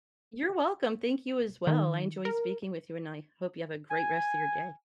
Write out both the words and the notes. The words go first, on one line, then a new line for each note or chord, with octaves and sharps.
You're welcome, thank you as well, I enjoyed speaking with you, and I hope you have a great rest of your day.
D#3
A#4
G#5